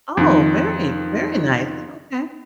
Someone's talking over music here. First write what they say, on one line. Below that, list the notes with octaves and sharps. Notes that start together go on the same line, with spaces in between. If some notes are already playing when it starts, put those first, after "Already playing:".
Oh, very very nice, okay.
F2 D#3